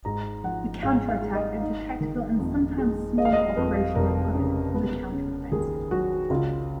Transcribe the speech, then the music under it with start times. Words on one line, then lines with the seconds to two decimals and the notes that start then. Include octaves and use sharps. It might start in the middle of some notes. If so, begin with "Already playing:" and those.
A counterattack is the tactical and sometimes smaller operational equivalent of the counter-offensive.
0.05 G#2 A#5
0.44 F3 F#5
0.83 G#2 F5
1.08 F5
1.22 G#3
1.35 D#5
1.61 D#4
2.01 D#3
2.39 F2
2.78 G#3
3.18 G#3 D#5
3.25 F5
3.33 D#5
3.57 F2 B4
3.95 F1 A#4
4.35 C#3
4.74 B3
5.12 C#3
5.52 D#2 G#4
5.91 F#3 F#4
6.30 C#2 F4